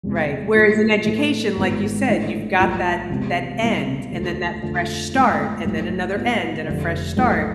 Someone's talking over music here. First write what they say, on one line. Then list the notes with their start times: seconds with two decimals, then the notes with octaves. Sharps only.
Right, whereas in education, like you said, you've got that that end, and then that fresh start, and then another end, and a fresh start.
0.03 E1 E2 C3 G#3
0.55 A2 F3 A3
1.05 A2 E3 A3
1.57 G#1 G#2 E3 B3
2.07 A2 E3 A3 D4
2.58 B1 A2 F3 B3 F4
3.09 E1 E2 C3 G#3
3.61 C2 B2 B3 E4
4.11 E1 D2 D3 A3
4.62 F2 D3 F3 A3 D4
5.13 A1 G#2 F3 B3
5.64 B1 A2 E3
6.16 A2 G#3 B3 F4
6.66 F1 F2 D3
7.17 B1 A2 E3 A3